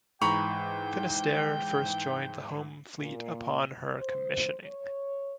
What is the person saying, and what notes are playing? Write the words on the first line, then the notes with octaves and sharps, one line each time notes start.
"Finnisterre" first joined the Home Fleet upon her commissioning.
G#2 E3 G5 A#5 B5 C#6
A#2
C5
C#5